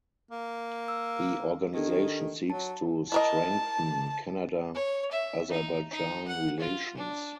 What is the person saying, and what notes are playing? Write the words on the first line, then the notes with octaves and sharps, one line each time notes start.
The organization seeks to strengthen Canada–Azerbaijan relations.
A#3
E6
D#3 D4 G4 A4
F#3 A5
E4 A#4 D#5 A5
C#5
E5
D#4
D#4
F#5
F4
D4